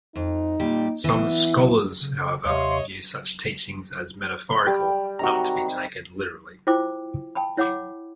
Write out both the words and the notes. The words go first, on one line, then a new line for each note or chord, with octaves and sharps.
Some scholars, however, view such teachings as metaphorical, not to be taken literally.
F2 D#4
A#2 G3 G4
E3 B3
C#3
D#2 C3 C#5 D#5 F5 C6
G3 G4 G5
C3 D#3 F#4 A#5
E4 F4 C5 G5 D6
G5 A5 B5
E4 C#5 F#5 B5 D6